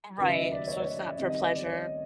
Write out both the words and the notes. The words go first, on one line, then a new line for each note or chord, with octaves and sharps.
Right, so it's not for pleasure.
D#2 C#3 F#3 B4
E5
D#5
D5
C#5
C#5
D5
D5
C2 C3 D#3 D#5
D#5
D#5
D5
C#5